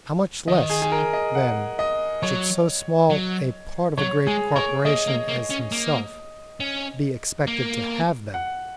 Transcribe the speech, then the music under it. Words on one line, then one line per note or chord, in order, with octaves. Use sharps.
How much less, then, should so small a part of a great corporation as himself be expected to have them?
D#3 D#5
G#4
G#4
A#4
D#5
F#5
D#5
F#3 C#5
F#3
F#3 C#5
G#3 G#4
A#3 C#5
A#3 D#5
A#3
A#3
C#4
A#3
C#4
A#3
F#5